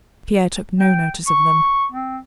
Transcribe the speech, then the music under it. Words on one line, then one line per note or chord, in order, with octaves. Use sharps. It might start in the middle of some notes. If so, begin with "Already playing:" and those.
Pierre took no notice of them.
G5
C#6
C4